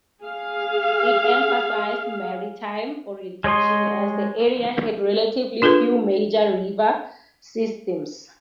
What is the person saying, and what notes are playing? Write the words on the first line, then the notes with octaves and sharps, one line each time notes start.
It emphasized maritime orientation, as the area had relatively few major river systems.
G#4 F5
G#3 C#5 D#5 C6
D4 F4 G#4 A4 B4